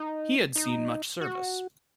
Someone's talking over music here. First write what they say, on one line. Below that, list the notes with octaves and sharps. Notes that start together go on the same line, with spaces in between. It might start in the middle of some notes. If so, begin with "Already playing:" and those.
He had seen much service.
Already playing: D#4
D#4
F#4